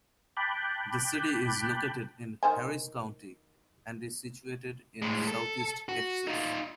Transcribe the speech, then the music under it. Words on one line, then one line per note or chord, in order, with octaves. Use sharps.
The city is located in Harris County and is situated in Southeast Texas.
G5 A5 B5 D6 F#6 G6
D#3 C5 G#5
A2 G#3
A4
F#4
D#4 F4